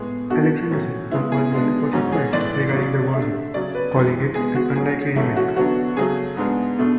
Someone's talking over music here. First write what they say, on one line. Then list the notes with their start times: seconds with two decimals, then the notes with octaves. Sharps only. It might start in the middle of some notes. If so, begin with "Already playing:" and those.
Alex Henderson from AllMusic was surprised regarding their version, calling it an "unlikely remake".
Already playing: A2 G#3 B3 G#4
0.30 B2 A3 D4 F#4
0.71 A2 F#3 C#4
1.11 C#3 G#3 B3 E4
1.32 G#4
1.52 B2 G#3 B3 D4
1.93 G#2 F#3 C#4
2.12 G#4
2.33 A2 E3 G#3 D5
2.74 C#3 F#3 C#4
3.13 D3 A3 D4 E5
3.54 C#3 F#3 C#4 D5
3.75 B4
3.94 F#2 E3 G#3
4.35 B2 G#3 B3 G#4
4.55 F#4
4.76 G#2 F#3 C#4 G#4
5.16 G#2 E3 A3 C#4 E4
5.36 F#4
5.56 D3 F#3 B3 D4 F#4
5.97 C#3 F#3 A3 G#4
6.37 G#2 G#3 B3 D4
6.78 B2 A3 D4